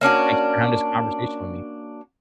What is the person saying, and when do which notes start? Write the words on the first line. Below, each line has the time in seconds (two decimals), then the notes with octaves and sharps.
thanks for having this conversation with me.
0.01 A#3 C#4 D4 F#4